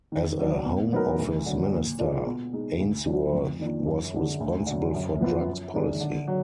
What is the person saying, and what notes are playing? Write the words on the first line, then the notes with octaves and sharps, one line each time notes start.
As a Home Office minister, Ainsworth was responsible for drugs policy.
D#3
F#3 D4
B2
F#3 B3 D#4 A#4
D2
D3 F#3
A#2
G#3 D4 F4
B2
G#3 D#4
D2
D3 F#3 D4 F4
F2
D#3 A#3 D4 F4
F#2
D3 G#3
D2
D3 F#3
F#2
F3 B3 F4
F#2
D#3 G#3 D4 G#4
D3
F#3